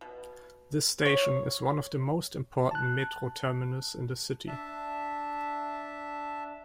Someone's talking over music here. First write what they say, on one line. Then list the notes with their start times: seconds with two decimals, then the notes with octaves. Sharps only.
This station is one of the most important metro terminus in the city.
0.01 B2
1.05 C#5
2.71 A5 F#6
4.47 D4 E5 A5